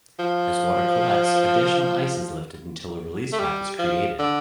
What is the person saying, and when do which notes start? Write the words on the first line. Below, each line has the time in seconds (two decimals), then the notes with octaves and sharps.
As water collects, additional ice is lifted until a release path is created.
0.19 F3
3.33 A3
3.39 G3
3.79 F3
4.19 D3